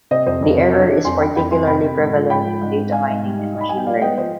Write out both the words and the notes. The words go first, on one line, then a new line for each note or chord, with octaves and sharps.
The error is particularly prevalent in data mining and machine learning.
C3 C5 D#5
F2 C5 D#5
F2
C3
D4
D4
F2 G#5 C6
D4 G5 B5
F2 G5 B5
F2 G#5 C6
C3 G5 B5
C3
G#2
F3
G#2 G5 B5
F3
G#2
C4
G#2 F5 G#5
G#2
G3
D#4
D#4
B5
G3 G#5
G5
F3 D5 F5
B3 D#5 G5
F3 C5 D#5